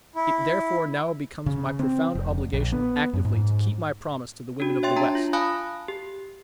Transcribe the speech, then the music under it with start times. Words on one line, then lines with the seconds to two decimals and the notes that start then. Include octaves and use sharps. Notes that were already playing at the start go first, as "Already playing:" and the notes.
It, therefore, now becomes my profound obligation actively to keep my promise to the women of the West.
0.15 E4
1.46 C#3
1.79 C4
2.15 F1
2.53 A#1
2.72 B3
3.13 F#2
3.25 G#2
4.60 D4 F#4
4.83 C#5 E5 G5 C6 A6
4.96 D4 A5 A#5
5.15 F4
5.33 F5 G#5 A5 B5 D#6 F#6
5.88 G4